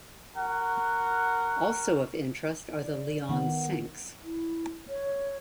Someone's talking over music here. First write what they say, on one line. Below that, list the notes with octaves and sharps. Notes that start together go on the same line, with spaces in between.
Also of interest are the Leon Sinks.
F#4 A#4 F#5
D5
D#3 B3 F#5
E4
C#5